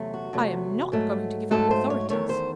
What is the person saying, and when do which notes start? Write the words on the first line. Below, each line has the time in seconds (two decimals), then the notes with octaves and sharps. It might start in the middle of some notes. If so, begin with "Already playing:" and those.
I am not going to give up authorities.
Already playing: E2 C3 F#3 A3
0.14 F#4
0.33 E2 C3 F#3 A3
0.92 G#2 F#3 A3
1.51 G#2 F#3 A3 A4
1.71 C5
1.90 C#5
2.10 E2 D#3 A3 C#5
2.29 C5